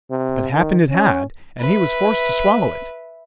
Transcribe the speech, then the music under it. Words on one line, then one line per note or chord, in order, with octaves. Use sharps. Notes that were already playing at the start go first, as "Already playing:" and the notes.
But happened it had, and he was forced to swallow it.
C3
D#3
C#4
B4 E5